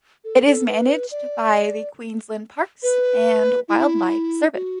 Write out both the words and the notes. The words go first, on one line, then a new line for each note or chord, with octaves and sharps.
It is managed by the Queensland Parks and Wildlife Service.
A4
A4
B4
D5
B4
E4
F#4